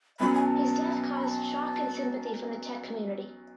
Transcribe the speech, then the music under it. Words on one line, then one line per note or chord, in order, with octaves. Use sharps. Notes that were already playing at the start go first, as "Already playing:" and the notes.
His death caused shock and sympathy from the tech community.
B1 B2 F#3 C#4 B5
G#5
A5
B5
A5